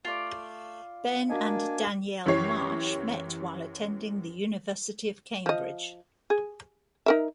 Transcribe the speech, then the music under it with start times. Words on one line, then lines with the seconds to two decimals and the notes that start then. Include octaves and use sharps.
Ben and Danielle Marsh met while attending the University of Cambridge.
0.05 A3 F4 D5
1.30 A#3 D4 F#4 A#4 D#5 G#5
2.26 F#2 E3 G4 C#5 C7
5.46 F3 D#5
6.30 G#4
7.06 D#4 A#4 E5